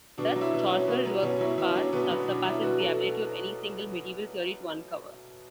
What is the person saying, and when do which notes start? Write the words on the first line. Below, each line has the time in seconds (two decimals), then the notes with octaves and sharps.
Thus Chaucer's work far surpasses the ability of any single medieval theory to uncover.
0.18 B2 D4
0.36 F#3
0.41 E4
0.53 B2
0.65 C#4
0.71 F#3
0.88 B2 B3
1.05 F#3 B3
1.23 B2 C#4
1.41 F#3 E4
1.58 B2 E4
1.68 C#4
1.75 F#3 D4
1.93 B2 B3
2.10 F#3 B3
2.28 B2 D4
2.45 F#3 E4
2.63 B2 F#4
2.80 F#3 A4